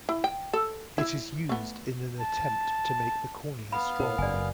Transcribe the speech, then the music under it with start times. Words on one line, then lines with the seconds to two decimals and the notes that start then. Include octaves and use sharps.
It is used in an attempt to make the cornea stronger.
0.09 E4
0.24 G5
0.53 A4
0.98 E4
1.49 A3 B3
2.20 A5
3.72 B3 F5 B5
4.00 A2 A#4
4.18 F#1 F#2 D5 G#5